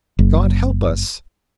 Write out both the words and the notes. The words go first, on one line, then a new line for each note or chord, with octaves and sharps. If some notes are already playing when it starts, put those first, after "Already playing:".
God help us!
F#1